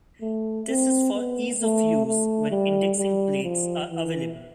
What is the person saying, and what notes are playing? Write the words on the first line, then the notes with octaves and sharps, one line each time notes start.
This is for ease of use when indexing plates are available.
A3
C4
B3
A3
A3
G3
G3
F3
E3